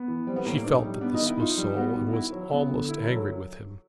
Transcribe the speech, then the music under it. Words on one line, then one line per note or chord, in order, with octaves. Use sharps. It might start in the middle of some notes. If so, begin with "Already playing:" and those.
She felt that this was so, and was almost angry with him.
Already playing: B3
E3
G3 C4
B3
A2 A#3
A#3
D4 D#4
G3
B3 D4
D#4
D#3
E4
D#4 F4
G3
B3 F#4
D#3
E4
F#3
B3
D3
E4
A#4
F#3 A4